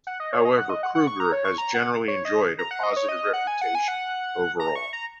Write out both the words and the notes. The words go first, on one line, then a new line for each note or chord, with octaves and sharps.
However, Kruger has generally enjoyed a positive reputation overall.
F#5
D#5
C#5
D#5
F#5
D#5
F#5
F#5
C#6
A#5
C#5
C#6
A#5
F#5
C#5
D#5
A#5
F#5
D#5
C#5
D#5
F#5
G#5
F#5
G#5
F#5
A#5
C#6
A#5